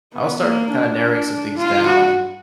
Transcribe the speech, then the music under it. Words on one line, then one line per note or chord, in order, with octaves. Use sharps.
I'll start kinda narrowing some things down
B3
A#3
D4
F4
F#4